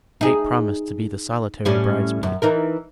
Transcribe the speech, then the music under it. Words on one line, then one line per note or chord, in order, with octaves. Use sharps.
Kate promised to be the solitary bridesmaid.
D#4 G#4
A2 G3 C#4
F#2
E3 D#4 A#4